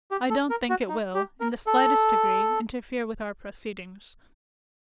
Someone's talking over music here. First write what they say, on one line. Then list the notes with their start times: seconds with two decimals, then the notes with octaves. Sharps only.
I don't think it will, in the slightest degree, interfere with our proceedings.
0.11 G4
0.30 A4
0.50 A#4
0.69 F#4
0.89 D#4
1.15 G4
1.40 A#4
1.67 A4